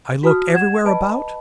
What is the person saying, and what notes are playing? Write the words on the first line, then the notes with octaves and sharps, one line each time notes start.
I looked everywhere about.
F#4 A5 D#6 F6
F#5 G#6 E7
B4 D#5 A5 B5